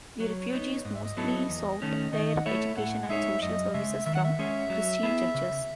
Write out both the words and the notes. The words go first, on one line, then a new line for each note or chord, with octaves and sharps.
The refugees mostly sought their education and social services from Christian churches.
F#3 C#5
B3 D#4
G#2 D#5
E5
D#5
F#3 B3 E4 A4
E2
D#3 A3 C#4
D#3 D#5
F#5
A3 E4 A4 C#5 E5
A2 F#5
G#3 D#4 G#4 C#5 E5
F#2 D#5
C#3 G#3 E5
D#3 E5
F#5
E5
G#3 C#4 G#4 C#5
F#3
B3 E4 G#4
C#3